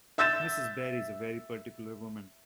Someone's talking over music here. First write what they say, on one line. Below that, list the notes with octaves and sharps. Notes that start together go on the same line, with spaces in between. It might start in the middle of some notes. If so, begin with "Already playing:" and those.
Mrs. Barry is a very particular woman.
E5 E6 G6 A6 E7